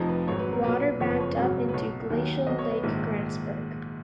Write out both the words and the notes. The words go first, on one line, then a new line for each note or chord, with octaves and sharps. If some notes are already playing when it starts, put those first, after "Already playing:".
Water backed up into Glacial Lake Grantsburg.
Already playing: F1 F2 F3 D#4
B4
G#1 G#2 F#3 C#5
B4
A#4
B1 A#2 F#3 B4
F#1 F2 F3 C#5
B4
C#5
G#1 F#2 C#3 F#3
B4
B1 B2 F#3 C#5
D#2 D#3 F#3
B1 B2 F#3 D#5
C#5
B4
A#1 G#2 D#3